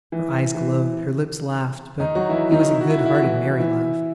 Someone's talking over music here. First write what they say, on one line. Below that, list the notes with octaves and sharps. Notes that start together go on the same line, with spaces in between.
Her eyes glowed, her lips laughed, but it was a good-hearted merry laugh.
E3
E3
D#3 D#4
F#3 F#4
E3 E4
D#3 D#4
E4
F#4
E4
F#4
E4
F#4
E3 E4
E3 E4